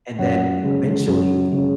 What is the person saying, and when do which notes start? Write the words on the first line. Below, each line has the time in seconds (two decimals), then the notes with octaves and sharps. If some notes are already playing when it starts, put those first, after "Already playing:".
and then, eventually,
0.19 F#2 C#5 F#5
0.63 C#3 G#3
1.07 F#2
1.51 C#3 G#3